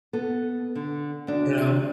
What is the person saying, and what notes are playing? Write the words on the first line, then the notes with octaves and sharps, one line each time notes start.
You know?
B3 A4
D3
D2 D4